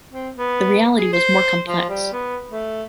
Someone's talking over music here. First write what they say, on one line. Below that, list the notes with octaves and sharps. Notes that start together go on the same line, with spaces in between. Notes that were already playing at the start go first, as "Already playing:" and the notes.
The reality was more complex.
C4
B3
G#4
C5
F3
G3
B3
A3